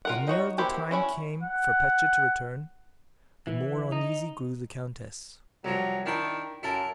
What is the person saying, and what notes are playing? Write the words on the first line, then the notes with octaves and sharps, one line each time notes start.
The nearer the time came for Petya to return, the more uneasy grew the countess.
F4 A#4 F#5
D#4 F#4 C#5
A#3 E4 F#4 G4 C5
C#4 E4 F#4 G#5
F#5
E3
D#4
C2 F3 F#3
D#3 D4 E4 G5
F#2 E4 A4 A#4